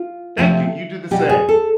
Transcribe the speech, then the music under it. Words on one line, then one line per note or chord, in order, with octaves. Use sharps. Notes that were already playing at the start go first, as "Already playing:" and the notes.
Thank you, you do the same.
Already playing: F4
C3 F3 A3
B2 G3 G4
G#4
A4